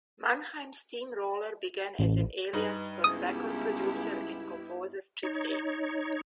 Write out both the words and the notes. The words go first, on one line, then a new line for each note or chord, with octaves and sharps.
Mannheim Steamroller began as an alias for record producer and composer Chip Davis.
A1
G2 D#4 B4
C#2 B3 E4 G4 D#6
D#4 C#5